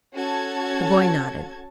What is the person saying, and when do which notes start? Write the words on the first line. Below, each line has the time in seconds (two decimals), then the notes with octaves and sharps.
The boy nodded.
0.15 C#4 F#4 A4 A5 G#6